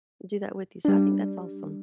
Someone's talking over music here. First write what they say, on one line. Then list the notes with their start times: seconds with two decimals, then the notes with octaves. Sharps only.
do that with you. So I think that's awesome.
0.85 G3 D4